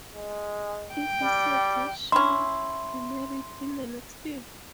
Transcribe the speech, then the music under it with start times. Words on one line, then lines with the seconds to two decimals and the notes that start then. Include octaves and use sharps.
It is said that she will be married in the next year.
0.14 G#3
0.93 G5
1.23 G3
2.12 C#4 E4 C6